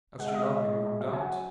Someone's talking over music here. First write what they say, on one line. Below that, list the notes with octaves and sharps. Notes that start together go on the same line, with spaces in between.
"As you love me, mum, don't!"
G#3 F#5
E5
D#5
E5
F#3 E5
G#5
F#5